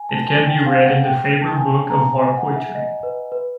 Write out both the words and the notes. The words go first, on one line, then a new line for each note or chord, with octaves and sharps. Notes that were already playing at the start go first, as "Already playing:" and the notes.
It can be read in "The Faber Book of War Poetry".
Already playing: G#5
A5
A5
G#5
G5
F5
F#5
G5
A5
G#5
A5
A#5
G#5
F#5
E5
D#5
B4
B4